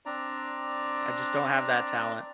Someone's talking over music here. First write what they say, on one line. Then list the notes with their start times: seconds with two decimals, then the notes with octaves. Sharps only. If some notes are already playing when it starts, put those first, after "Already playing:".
I just don't have that talent.
0.06 C4 D4 D5 A#5